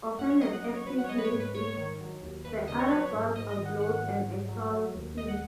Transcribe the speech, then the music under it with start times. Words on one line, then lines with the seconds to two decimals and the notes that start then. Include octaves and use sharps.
Offended at his misdeeds, the other gods outlawed and exiled him.
0.18 F#2 F#5
0.30 C#5
0.40 F#3 D#5
0.53 F#5
0.63 F#2 D#5
0.75 C#5
0.86 F#3 B4
0.98 F#5
1.04 C#5
1.09 G#3 D#5
1.18 B4
1.24 C#5
1.32 G#2
1.40 B4
1.54 G#2 C#5
1.77 D#3
2.00 F#3
2.23 D#2
2.44 D#2 B4
2.67 C#3 D#5
2.79 C#5
2.90 F#3 B4
3.00 C#5
3.13 G#2
3.35 G#2 D#5
3.50 D#5
3.58 D#3
3.65 F#5
3.80 G#2 F#5
4.04 F#3
4.25 G#2
4.48 F#3
4.72 F#3
4.94 D#2
5.17 D#2 D#5
5.28 F#5